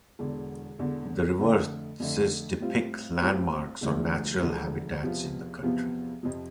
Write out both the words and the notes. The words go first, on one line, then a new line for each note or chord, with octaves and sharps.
The reverses depict landmarks or natural habitats in the country.
E1 E2 D3
E1 E2 D3
F2 D3 A3
F2 D3 A3
A2 G3 C4 F4
A2 G3 C4 F4
E1 D2 D3 F3 A3
E1 D2 D3 F3 A3
E2 C3 F3 B3 F4
E2 C3 F3 B3 F4
F2 C3 F3